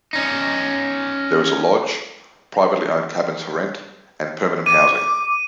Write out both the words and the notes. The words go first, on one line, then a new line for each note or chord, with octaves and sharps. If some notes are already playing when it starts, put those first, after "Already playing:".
There is a lodge, privately owned cabins for rent, and permanent housing.
C#4 D#4
D6 D#7